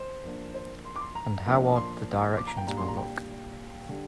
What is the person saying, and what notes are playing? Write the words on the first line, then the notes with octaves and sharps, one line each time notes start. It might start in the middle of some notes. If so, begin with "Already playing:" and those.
And how odd the directions will look!
Already playing: C5
F3 A#3 D4
C5
C6
D6
C6
A#5
A#2 F3 A#3 D4
C6
D6
A#5
G5
A#2 G3 D4 A#5
C6
A#5
G5
D3 G3